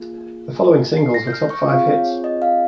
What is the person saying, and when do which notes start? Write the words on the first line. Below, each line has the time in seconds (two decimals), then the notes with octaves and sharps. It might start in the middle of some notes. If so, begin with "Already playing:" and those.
The following singles were top five hits.
Already playing: A#3 F4 G#4
0.97 C7
1.14 A#6
1.27 G6
1.33 F6
1.50 C#6
1.69 C4 F4 G#4 F5
1.87 C#5
2.05 C#5
2.24 D#5
2.42 F5